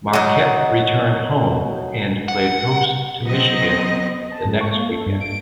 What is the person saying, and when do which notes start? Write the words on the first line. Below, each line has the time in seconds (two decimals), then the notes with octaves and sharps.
Marquette returned home and played host to Michigan the next weekend.
0.13 F#3 D#4
2.28 F#5
3.25 F#3 B3 C4 D#5
4.32 A5
4.45 G#2
4.61 C#6
4.74 A#3
4.89 A4
5.06 G2
5.21 D7